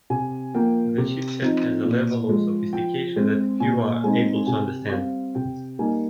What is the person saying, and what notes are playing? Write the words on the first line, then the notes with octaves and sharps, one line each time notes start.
The chip set has a level of sophistication that few are able to understand.
C3 G#5
F3 A#3 G5
C3
F3 C4 D#4
A#2
F3 G#3
F3 G5
G#3 C4
A#2 G#5
G#3 C4 D#4 G#5
C3 G#5
G3 C4 F5
C3 G5
G3 A#3 D#4 G#5